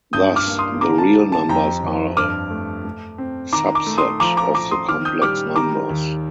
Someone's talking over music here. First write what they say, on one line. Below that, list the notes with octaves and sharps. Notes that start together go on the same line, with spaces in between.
Thus the real numbers are a subset of the complex numbers.
G2 D#6 G6
D6 F6
A#3
C6 D#6
D3 A#5 D6
A5
G3
A5
F2 G5 A#5
F2
G2 D6 F6
A3
A3
C4
D#3 A#5 D6
A#5 D6
A3
C6 D#6
F3 A#5 D6
A#5 D6
F3 A#5 D6
C6 D#6
D#3 D6 F6
D#6 G6
G3 D6 F6
D#3 A#5 D6
D#2